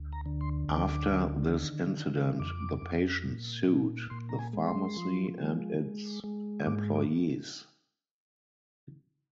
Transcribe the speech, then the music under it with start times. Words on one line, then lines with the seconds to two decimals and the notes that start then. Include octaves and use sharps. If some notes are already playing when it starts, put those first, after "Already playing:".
After this incident, the patient sued the pharmacy and its employees.
Already playing: D2
0.13 A#5
0.26 D3
0.41 C6
0.69 D2 D6
1.12 D3
1.54 D#3
1.97 D#3
2.40 F2 D6
2.82 F2
3.26 A#2
3.68 A#2
4.10 A#2 C6
4.29 A#5
4.39 G#5
4.53 G#3
4.67 C6
4.96 F3
5.38 G#3
5.82 G#3
6.24 G#3
6.66 G#2 D6
6.95 D6